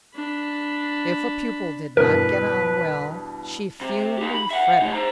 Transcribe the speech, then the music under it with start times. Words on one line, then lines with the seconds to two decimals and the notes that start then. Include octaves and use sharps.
If a pupil did not get on well, she fumed and fretted.
0.15 D4 B5
1.97 E2 G2 B2 A#4 B4
3.81 C3
4.18 D#4 G4
4.34 B5
4.51 E5 F#5
4.82 A3 D#4
4.93 C5 A#5